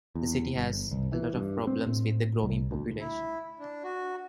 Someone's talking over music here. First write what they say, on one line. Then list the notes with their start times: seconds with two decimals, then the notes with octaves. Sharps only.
The city has a lot of problems with the growing population.
0.15 E2
0.55 G1
0.91 C2
1.13 E3
1.35 G2
1.67 C4
1.87 A2
2.43 C2
2.71 D2
3.00 E4
3.60 D4
3.84 F#4